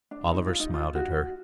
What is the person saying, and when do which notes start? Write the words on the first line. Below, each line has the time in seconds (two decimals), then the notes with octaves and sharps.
Oliver smiled at her.
0.11 D4
0.32 D#4
0.47 F4
0.60 D#4
0.74 F4
0.95 F#4